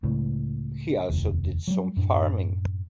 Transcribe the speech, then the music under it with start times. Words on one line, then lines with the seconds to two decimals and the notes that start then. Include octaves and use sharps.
He also did some farming.
0.03 C#2 A2
1.10 F1 D#2
1.67 F#3 G3
1.97 F#2 A2